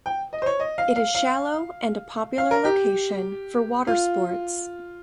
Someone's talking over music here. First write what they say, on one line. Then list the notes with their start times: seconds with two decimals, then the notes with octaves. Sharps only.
It is shallow and a popular location for water sports.
0.06 G5
0.33 D#5
0.42 C5
0.46 C#5
0.60 D#5
0.78 F5
0.96 F5
1.15 F5
2.38 F5
2.51 A#4
2.65 G4
3.87 F4